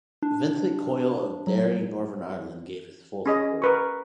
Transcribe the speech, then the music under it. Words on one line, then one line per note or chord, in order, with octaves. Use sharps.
Vincent Coyle of Derry, Northern Ireland gave his full support.
D4
F#3
C#4 G#4 D#5
A#4 B4 C#6